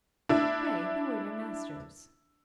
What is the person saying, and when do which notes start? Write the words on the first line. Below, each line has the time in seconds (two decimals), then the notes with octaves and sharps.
Pray who were your masters?'
0.29 D4 E4 E6